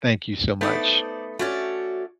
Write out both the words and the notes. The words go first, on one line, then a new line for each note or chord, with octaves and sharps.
Thank you so much.
A3 B3 D#4 C5 D5
A3 C#4 F#4 C#5 D5